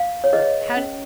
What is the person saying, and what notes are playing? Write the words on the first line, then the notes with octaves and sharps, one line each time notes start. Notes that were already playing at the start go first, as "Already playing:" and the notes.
but, how d
Already playing: F5
C#5
G#4 B4 D#5
C#4